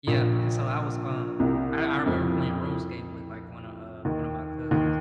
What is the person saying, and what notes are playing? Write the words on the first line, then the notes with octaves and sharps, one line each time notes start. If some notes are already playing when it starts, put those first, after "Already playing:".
Yeah, and so I was, um I I remember playing RuneScape with, like, one a, uh one of my cousins,
A#1 A#2
C2 C3
F2 F3
D#2 D#3
D#2 D#3